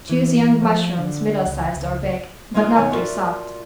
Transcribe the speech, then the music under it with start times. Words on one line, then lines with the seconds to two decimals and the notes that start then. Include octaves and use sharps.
Choose young mushrooms middle sized or big, but not too soft.
0.09 E3
0.62 F3
0.98 D3
1.46 C#2
1.75 C#2
2.54 G#3 A#3 D#4 F4 G#4
2.76 B2 D#3 B3 C#5 G#5
2.91 F4 F#4 A#4 B4 D5 E5